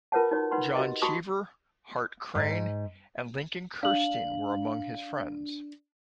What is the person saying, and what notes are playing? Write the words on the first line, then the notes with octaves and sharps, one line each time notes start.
John Cheever, Hart Crane, and Lincoln Kirstein were among his friends.
F4 A#4 B4 C#5 F#5 A5
D#4 F#4 C#5
D#4 B4 F#5 B5 C6
F#4 G4 D#5
F#4 A5 B5 C#6 D#6
G#2
D4 F5 F#7